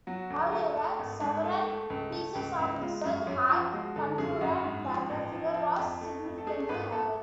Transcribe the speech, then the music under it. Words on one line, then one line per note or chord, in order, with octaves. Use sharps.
However, several pieces of research have concluded that the figure was significantly higher.
F#3 F#4
D2
A3
A3
G#1
G#2
A3
A3
C#2
A3
C#2
C#2
G#3 F4
F#2
F#2 C#4
F3 F4
G#3 F#4
D3 A4
F#2 G#4
F#2 F#4
G#2
F3
A1
F3
F3
F2
A3
F2
A4
A3 G#4
G#1 B4
G#1 A4